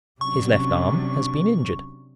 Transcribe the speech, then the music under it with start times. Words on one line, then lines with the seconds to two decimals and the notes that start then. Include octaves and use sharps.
His left arm has been injured.
0.21 C3 F#3 C#4 D4 C#6